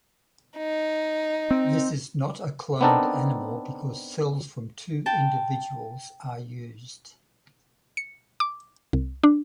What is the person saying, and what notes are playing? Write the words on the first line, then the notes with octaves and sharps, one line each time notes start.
This is not a cloned animal because cells from two individuals are used.
D#4
C4
B3 C4 D4 D#4 A4 A#4
G5 A5
C#7
D6
C2
D4